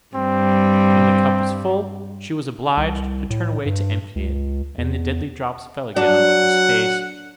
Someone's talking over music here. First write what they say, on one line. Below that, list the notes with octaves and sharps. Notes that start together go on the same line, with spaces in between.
When the cup was full, she was obliged to turn away to empty it, and the deadly drops fell again on Loki's face.
G2 G3 C4
C2
A2
G2
C#2
E2
F#3 D4 F#5